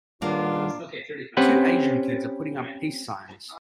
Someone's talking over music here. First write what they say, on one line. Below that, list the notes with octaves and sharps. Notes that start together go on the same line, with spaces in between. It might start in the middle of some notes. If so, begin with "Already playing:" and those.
Two Asian kids are putting up peace signs.
C#2 D#3 G3 A#3 D4 F4 F#5
C4 C#4 G4 B4 F#5